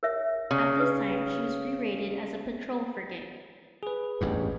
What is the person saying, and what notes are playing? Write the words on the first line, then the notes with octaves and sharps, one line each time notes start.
At this time, she was re-rated as a patrol frigate.
A#4 C#5 E5
C#3
B4
G#4 B4
A1 E2 G2